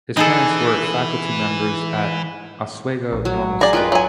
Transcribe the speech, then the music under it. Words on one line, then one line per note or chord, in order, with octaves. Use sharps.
His parents were faculty members at Oswego Normal School.
E3 D#4 G#4 A4
A#1
F#3
G#4 D5 A#5
D#3 F4 B4 D6
F#3 G#5